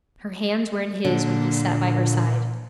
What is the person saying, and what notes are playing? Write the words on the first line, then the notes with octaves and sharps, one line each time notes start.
Her hands were in his when he sat by her side.
A#2 D3